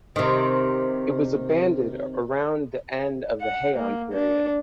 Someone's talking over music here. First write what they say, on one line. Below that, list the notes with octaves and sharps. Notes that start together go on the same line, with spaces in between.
It was abandoned around the end of the Heian period.
C3 D#3
F#5
A#3
D4